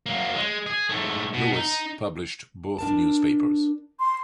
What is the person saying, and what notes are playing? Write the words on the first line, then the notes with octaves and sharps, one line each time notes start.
Lewis published both newspapers.
F#3 A#3
G#3
G#4
G#2 A3
B2
D#4
D4 A#4 A5
C6